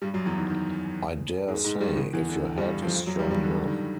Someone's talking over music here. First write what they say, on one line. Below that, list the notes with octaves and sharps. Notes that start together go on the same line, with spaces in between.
I dare say, if your head is strong enough.
G2 G3
F#2 F#3
E2 E3
D#3
D#3
G#2 G#3
G#2 G#3
G2 G3
E2 E3
E2 E3
D3
G2 G3
F2 F3
F2 F3
F#2 F#3
G2 G3
G2 G3
D3
D#3